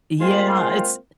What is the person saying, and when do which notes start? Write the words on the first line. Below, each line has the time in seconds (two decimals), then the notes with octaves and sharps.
Yeah, it's
0.21 G#3 A#3 C4 F4 G5